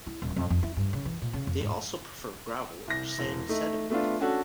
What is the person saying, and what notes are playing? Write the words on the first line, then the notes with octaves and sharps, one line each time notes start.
They also prefer gravel or sand sediment.
E4
D#1
F2
F2
E4
G2
C#3
E3
A#2
C#3
F2
G#2
C2 A#6
E1
A3 D#4
A3 B3 D4 F4
C#4 D4 F#4 A4